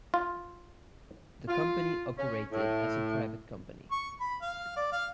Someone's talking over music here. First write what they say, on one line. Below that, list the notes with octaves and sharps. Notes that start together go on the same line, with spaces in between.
The company operated as a private company.
F4
F4
C#4
A2
C#6
B5
F5
D5
F5